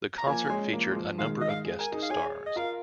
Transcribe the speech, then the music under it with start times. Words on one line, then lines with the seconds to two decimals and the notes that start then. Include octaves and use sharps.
The concert featured a number of guest stars.
0.18 A#5
0.23 C#4
0.26 F3 A#3 G#5
0.50 G#3 C#4
0.73 F3 A#3
0.91 G#3
0.96 F3
1.18 D#3 G#3 F5
1.41 D#5
1.50 F5
1.65 G#4
1.79 A#4 G#5
1.92 D#4 G#4
2.02 F5
2.10 G#4 C#5 G#5
2.46 D#5
2.56 F4 A#4 F5